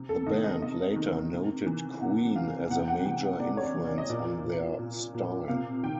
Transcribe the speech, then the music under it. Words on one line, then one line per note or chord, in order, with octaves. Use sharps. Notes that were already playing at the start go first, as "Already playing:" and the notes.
The band later noted Queen as a major influence on their style.
Already playing: C3
A4
D#3 D#5
D#5
C3 D#5
D#3
C3
E3
C3 F#5
E3 F5
C3 F#5
G5
F#5
E3 G5
F#5
C3 D5
C#5
D5
E3
D5
D#5
A#2 D5
A#2
A#2
A#2
C3 F5
D#3 G5